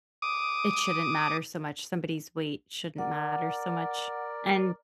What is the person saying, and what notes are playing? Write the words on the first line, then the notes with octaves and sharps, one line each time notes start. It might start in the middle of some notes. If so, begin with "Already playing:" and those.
it shouldn't matter so much, somebody's weight shouldn't matter so much. And
D6 D#6
A#4 D5 F#5